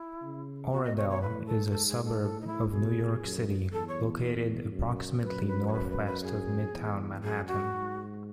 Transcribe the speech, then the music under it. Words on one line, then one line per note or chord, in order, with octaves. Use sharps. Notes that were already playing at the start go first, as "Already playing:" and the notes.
Oradell is a suburb of New York City, located approximately northwest of Midtown Manhattan.
Already playing: E4
C#3
B2 F#4
D#5
C#5
C#5
A2 B4
A4
G#2 A4
G#4
A4
A2 A4
D#4
E4
B2 G#4
F#2
E2 A4
C#5
F#2
F#2 B4
B4
C#5
B4
B4
B4
G#4
E2
F#2 G#4
F#4
G#2